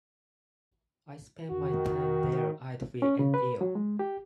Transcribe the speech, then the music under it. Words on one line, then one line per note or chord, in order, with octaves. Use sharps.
I spent my time there idly and ill'.
F2 D#3 F#4
C#4
C#3
B4
F#3
G#3
G4